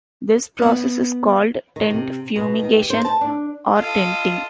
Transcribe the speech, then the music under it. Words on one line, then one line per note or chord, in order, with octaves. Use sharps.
This process is called tent fumigation or "tenting".
B3 F#5
D#3
C3
B2
D#3
G4
C5
A5
D4
F4 A4 D#5